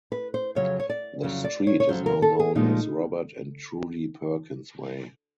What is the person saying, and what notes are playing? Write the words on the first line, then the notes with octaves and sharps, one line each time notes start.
The street is now known as Robert and Trudie Perkins Way.
B4
C5
F2 C#3 F#3 C#5
C#5
D5
F2 C#3 F#3
D5
C#5
C#5
F2 C#3 F#3 C5
A#4
A4
G#4
A#2 F3 G#3 D#4